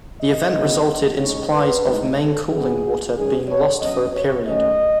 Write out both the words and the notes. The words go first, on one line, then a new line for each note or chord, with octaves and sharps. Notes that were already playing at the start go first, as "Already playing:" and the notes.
The event resulted in supplies of main cooling water being lost for a period.
D#5
C#3 F#3 B3 D#4
C#3 G#3 D#4 C#5
B4
A2 G#3 D#4
A4
D#3 F#3 B3 G#4
G#2 D#3 F#3 C#4 G#4
C#5
B2 F#3 C#4 D#5
C#5
D#3 F#3 A3 C#4 D#5